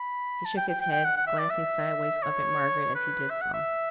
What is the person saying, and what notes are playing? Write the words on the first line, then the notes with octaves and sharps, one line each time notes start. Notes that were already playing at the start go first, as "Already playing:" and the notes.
He shook his head, glancing sideways up at Margaret as he did so.
Already playing: B5
A5
G5
G5
G5
G5
F#5
F#5
E5
D5
E5
C#5
B4
E5
F#5
E5